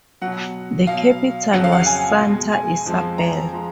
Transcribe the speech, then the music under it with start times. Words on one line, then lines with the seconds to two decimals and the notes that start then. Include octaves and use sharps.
The capital was Santa Isabel.
0.21 F#3 F#5
0.27 B2
0.87 B2 F#3 F5
1.53 F2 C#3 F#3 F#5
1.64 F5
1.72 F#5
1.86 G#5
2.19 B2 G#3
2.52 G#5
2.86 F2 F3 G#3
3.18 A#5
3.53 F3 G#3